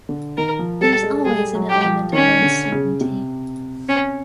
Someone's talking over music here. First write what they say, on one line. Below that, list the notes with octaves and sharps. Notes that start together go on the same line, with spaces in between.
There's always an element of uncertainty.
D3
D#3 A#4
F3
G3 A4
G#3
G3 G#4
F#3
G4
F3
D#3 C#4
D3
C#3
C3
C#4